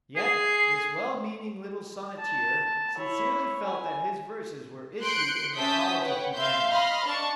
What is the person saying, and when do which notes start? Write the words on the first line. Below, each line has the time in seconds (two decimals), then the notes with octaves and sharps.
Yet this well-meaning little sonneteer sincerely felt that his verses were issued in the cause of humanity.
0.16 G#4 C7
2.19 A5
2.97 E4 C#5
3.64 G#5
5.02 C6 F#6 G6 C#7 D7
5.55 C#4 E5 A5 D#6 G6 B6
5.99 B4 C#5 F#5 G5
6.34 E5 F5 C6 G6
6.70 D#5 F5 B5 C6 F6
7.05 D4 A5 C#6